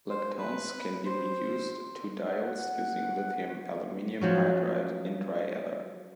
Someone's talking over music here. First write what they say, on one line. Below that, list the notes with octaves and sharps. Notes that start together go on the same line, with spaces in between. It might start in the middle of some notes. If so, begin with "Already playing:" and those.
Lactones can be reduced to diols using lithium aluminium hydride in dry ether.
C5
B4
C5
F#5
F3 F#3 C#4